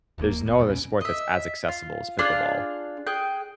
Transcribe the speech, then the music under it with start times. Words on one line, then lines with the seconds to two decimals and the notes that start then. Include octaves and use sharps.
there's no other sport that's as accessible as pickleball.
0.18 E1 D#2 C3 A#3
0.43 D1 G1 B3
0.58 C2 F2 A#2 G3
0.69 D#1 C#2 B2 C#4
1.01 D#5 E5
1.69 F4
2.19 D4 F4 G#4
3.07 G#4 G5 F#6